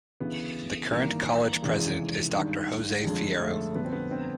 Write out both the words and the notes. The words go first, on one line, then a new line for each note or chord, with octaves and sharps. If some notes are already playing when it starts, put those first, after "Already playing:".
The current college president is Doctor Jose Fierro.
D2 C#3 E3 B3
G#1 G2 E3 A#3
F1 E2 C#3 E3 G#3
G#1 G2 D#3
G1 F2 D3 G#3
A3
G1 F2 D3 B3
C4
B3
C4